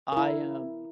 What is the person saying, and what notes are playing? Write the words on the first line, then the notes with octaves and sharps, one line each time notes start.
I am
E4 A#4